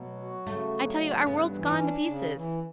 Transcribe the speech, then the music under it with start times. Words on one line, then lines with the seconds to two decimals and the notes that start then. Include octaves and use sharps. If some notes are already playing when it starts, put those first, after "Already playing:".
I tell you--our world's gone to pieces.
Already playing: B2 F#3 A3
0.20 F#4
0.46 C#3 A3
0.73 F#3
1.00 C#3
1.27 G2 B3
1.53 E3
1.67 C#4
1.80 D4
2.07 C#3
2.34 E3